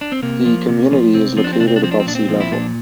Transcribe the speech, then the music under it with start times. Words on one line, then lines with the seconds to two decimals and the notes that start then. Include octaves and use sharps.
The community is located above sea-level.
0.01 D4
0.12 C4
0.22 C3 A#3
0.45 F3
0.68 C3
0.91 F3
1.14 C3 C4
1.37 F3 C4
1.44 D4
1.53 C4
1.60 C3 D4
1.68 C4
1.76 D4
1.83 F3 C4
1.91 D4
2.00 C4
2.06 A#2 D4
2.15 C4
2.28 F3
2.40 E4
2.51 A#2 D4